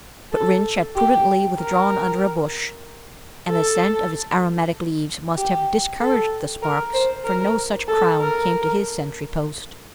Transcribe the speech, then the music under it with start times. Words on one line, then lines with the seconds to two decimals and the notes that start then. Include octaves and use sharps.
But Rynch had prudently withdrawn under a bush, and the scent of its aromatic leaves must have discouraged the sparks, for no such crown came to his sentry post.
0.33 A4
0.96 G4
1.58 A#4
3.48 A4
5.37 G4
6.00 A4
6.63 A#4
6.94 C5
7.25 A#4
7.88 A4
8.19 A#4